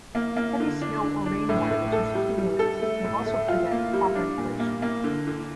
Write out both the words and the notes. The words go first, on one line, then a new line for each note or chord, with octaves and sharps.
Heavy snow or rainwater which has accumulated may also prevent proper inflation.
A#3
A#3
D3
D4
D3
D4
A2
A2
A4
G3
G3
A4
A3
A2
A3
F4
A#3
G3
D4
A#2
A#3
A#3
D3
D3